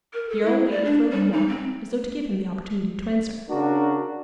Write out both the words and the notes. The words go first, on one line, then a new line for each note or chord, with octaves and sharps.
The Earl waited for a little while, as though to give him the opportunity to answer.
A#4
A4
E4
D5
D4
G3
D#4
C4
C#3 D4 F#4 A#4